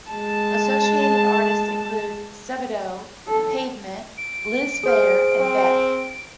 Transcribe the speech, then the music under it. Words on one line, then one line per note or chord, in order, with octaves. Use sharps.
Associated artists include Sebadoh, Pavement, Liz Phair, and Beck.
G#3 A5
A4
D7
G#4 C5 F6
C4